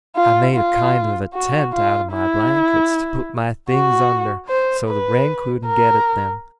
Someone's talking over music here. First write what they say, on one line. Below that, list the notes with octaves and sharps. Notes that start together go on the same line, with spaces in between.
I made a kind of a tent out of my blankets to put my things under so the rain couldn't get at them.
F4
F4
F#4
F4
E4
F#4
C5
B4
A#4